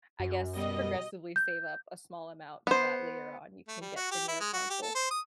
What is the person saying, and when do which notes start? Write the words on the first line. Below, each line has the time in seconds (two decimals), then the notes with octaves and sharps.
I guess, progressively save up a small amount so that later on, you can get the newer console.
0.20 F#2 F#4
0.55 B2 G3 D#5
1.36 G6
2.67 B3 C5
3.68 A3
3.81 G3
3.96 F#4
4.11 G4
4.28 E4
4.41 G#3
4.53 F#4
4.70 G4
4.82 A4
4.95 C5
5.11 D#6